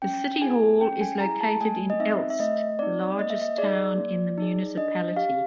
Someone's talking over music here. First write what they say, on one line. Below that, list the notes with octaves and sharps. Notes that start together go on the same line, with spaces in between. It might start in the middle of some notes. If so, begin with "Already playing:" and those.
The city hall is located in Elst, the largest town in the municipality.
C#4 G5
E4 G#4 G#5
C#4 G5
G#5
E4 G#4 A#5
A5
A3 G#5
D#5
C4 D#4 E5
E5
A3 D#5
C4 D#4 D5
A#3 D#5
E5
D#5
D#4 G#4 D5
A#3
D#4 G#4
D4 D#5
G4 F5